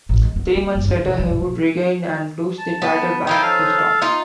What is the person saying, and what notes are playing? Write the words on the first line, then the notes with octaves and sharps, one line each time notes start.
Three months later, he would regain and lose the title back to Storm.
A1
G#3
B3
A#3
G1
D3
C3
G3
B2
F#3
A5
B3
F3 C#4 D#4 E4 G5 G#5
A4 F5
D#4 F4